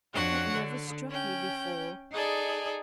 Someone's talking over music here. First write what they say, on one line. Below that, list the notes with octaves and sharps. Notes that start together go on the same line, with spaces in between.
"That never struck me before."
F2 D4 F#4 C#5 F#5
D3
C#4 G5
D#4 G#4 A4 D5